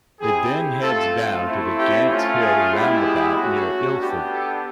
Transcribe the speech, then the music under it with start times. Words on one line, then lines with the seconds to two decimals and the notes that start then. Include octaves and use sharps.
It then heads down to the Gants Hill Roundabout near Ilford.
0.19 C4 E4 G4 G#4
0.83 A3 C4 F4 A4
1.46 A3 C4 E4
1.77 G4
2.09 A3 C#4 F4
2.40 G#4
2.72 G#3 B3 E4 G4
3.04 G#4
3.35 A3 C#4 F#4
3.98 B3 D4 G4
4.30 A4